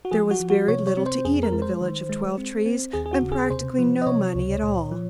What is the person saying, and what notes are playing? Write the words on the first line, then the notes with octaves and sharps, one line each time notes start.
There was very little to eat in the village of Twelve-trees, and practically no money at all.
F#4
F3 G#4
F#4
F3
F#4
C3 C#5
C#5
C4
C5
F2 G#4
A#4
G#3
C5
D#3
G#3
C4
C4
D#2 G#4
G#4
F#4
C#3
G#4
C3 C5
F3
D#5
C3 C#5
C#2
A#2
F3